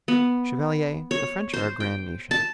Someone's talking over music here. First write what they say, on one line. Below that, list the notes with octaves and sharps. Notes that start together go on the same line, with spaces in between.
Chevalier, the French are a grand nation.
B3
C#5
C5
G5
A5